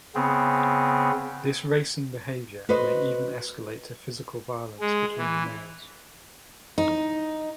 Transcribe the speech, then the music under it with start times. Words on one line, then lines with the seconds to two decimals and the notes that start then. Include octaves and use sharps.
This racing behavior may even escalate to physical violence between the males.
0.15 C#3 B3 C4
2.69 F#4 B4 C5 D#5
4.80 G#3
5.18 E3
6.78 D#4